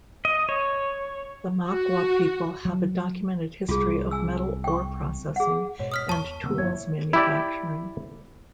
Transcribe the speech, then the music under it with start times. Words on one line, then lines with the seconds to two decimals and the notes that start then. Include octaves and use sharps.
The Makua people have a documented history of metal ore processing and tools manufacturing.
0.25 D#5
0.49 C#5
1.67 F#4
2.65 F#3
3.69 C2 F4 G#4
4.11 G#5 E6
4.64 G5 C#6
5.36 G#4 F#5
5.79 G#2 B2 C#5
5.92 D#6 F6 B6
6.09 E2 A5 C#6
6.44 C3 D#3 A#3 B3 E6
6.58 F#1 E2 G2 E4 C#5 G#6
7.13 E4 G4 D5